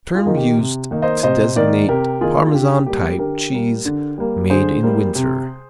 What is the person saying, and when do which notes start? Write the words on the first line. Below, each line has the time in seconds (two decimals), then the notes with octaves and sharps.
Term used to designate Parmesan-type cheese made in winter.
0.15 F4 G#4
0.26 D#3 A#3 D#4
0.37 G4
0.58 C3
0.91 D#3 A#3 D#4
1.02 C5 D#5
1.23 C3 C5 D#5
1.56 D#3 A#3 D#4 A#4 D5
1.88 C3 G4 A#4
2.21 D#3 A#3 D#4 F4 G#4
2.47 F4
2.54 D3 G4
2.86 G3 A#3 G4
3.19 D3 G4 A#4
3.52 G3 A#3
3.85 D3
4.18 G3 A#3
4.50 D3 G#4 C5
4.83 G3 A#3
5.15 C3